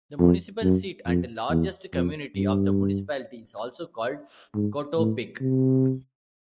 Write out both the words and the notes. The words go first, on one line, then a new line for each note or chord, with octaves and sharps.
The municipal seat and largest community of the municipality is also called Coatepec.
F2
F#2
F2
E2
F2
G2
G#2
A2
C3